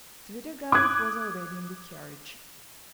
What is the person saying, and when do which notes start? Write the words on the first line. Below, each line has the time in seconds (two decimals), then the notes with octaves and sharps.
Svidrigailov was already in the carriage.
0.72 D6 D#6 F#6 G#6